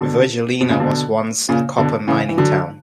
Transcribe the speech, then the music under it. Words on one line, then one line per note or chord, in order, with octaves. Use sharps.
Virgilina was once a copper mining town.
B2 D3
B2
A#2 C#3
B2 D3
A#2 C#3
B2 D3
C#3 E3
E3
D3 F#3